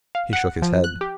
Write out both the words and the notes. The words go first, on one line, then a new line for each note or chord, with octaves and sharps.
He shook his head.
F5
F#5
F3
F#6
G4